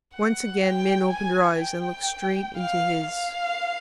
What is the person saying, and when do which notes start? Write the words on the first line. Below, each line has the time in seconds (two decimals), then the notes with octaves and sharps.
Once again Min opened her eyes and looked straight into his.
0.14 F#5
0.62 G5
1.11 G#5
1.60 G5
2.57 F5
3.05 F5